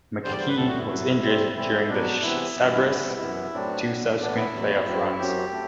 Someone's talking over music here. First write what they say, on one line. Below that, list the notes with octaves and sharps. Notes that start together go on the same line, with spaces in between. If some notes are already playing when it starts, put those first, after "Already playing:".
McKee was injured during the Sabres's two subsequent playoff runs.
E2 D3 G3 C5
D5
C5
B4
A2 G3 B3 A4
F#4
E4
F#2 F#3 B3
C3 G3 C4
A2 E3 G3 C4 E4
B2 F#3 B3 D4
C3 E3 B3 E4
G2 E3 B3
D4
C3 E3 G3 B3 E4
F#2 E3 B3
A2 F#3 C4 D4
B2 F#3 B3
A2 E3 B3 D4
E4
E2 C3 F#3
F#2 F#3 C4
F#2 F#3 C4 G4
A3